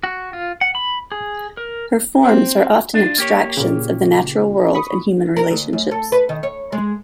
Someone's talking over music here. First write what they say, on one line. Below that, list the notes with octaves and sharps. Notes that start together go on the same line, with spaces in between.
Her forms are often abstractions of the natural world and human relationships.
F#4
F4
F#5
B5
G#4
A#4
C4
D4 F4
A#3 G4 C#5
A#2 C#3
B5 C#6 D#6
A#4
D2
F#2
A4
B4
D#3
C#5
G#3